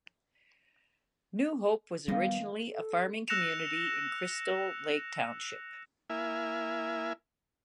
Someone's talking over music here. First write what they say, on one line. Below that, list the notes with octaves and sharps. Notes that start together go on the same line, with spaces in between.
New Hope was originally a farming community in Crystal Lake Township.
D#3 F3 G3 B3 D#5
A4
E6 F#6 A#6 C#7 E7 F7
A#3 E4 E5 G#5 F6